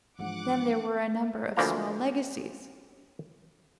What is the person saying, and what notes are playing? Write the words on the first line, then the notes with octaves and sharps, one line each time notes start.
Then there were a number of small legacies.
G#2 E3 F3 G#3 D4 F#5 D6
D2 E3 F3 A#3 F4 A#5